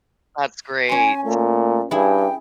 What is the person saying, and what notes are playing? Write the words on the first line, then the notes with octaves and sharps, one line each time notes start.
That's great.
C#4 G#5 C6
A#2 A3
G2 E4 G#4 G5